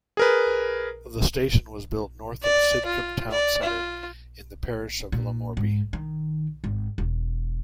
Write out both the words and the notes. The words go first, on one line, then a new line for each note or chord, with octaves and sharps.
The station was built north of Sidcup town centre in the parish of Lamorbey.
G#4 A#4 B4
D5
F4
D5
F4
A#2
G#2
D#3
G#1
E1